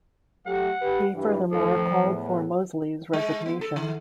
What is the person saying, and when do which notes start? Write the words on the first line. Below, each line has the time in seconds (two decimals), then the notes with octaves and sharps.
He furthermore called for Mosley's resignation.
0.46 F#3 A3 G4 F#5
0.81 G4 B4
1.14 G2 E3
1.51 D#3 F3 A3 A4
2.03 E2 A2
3.13 G#3
3.46 B3
3.61 A4
3.76 D#3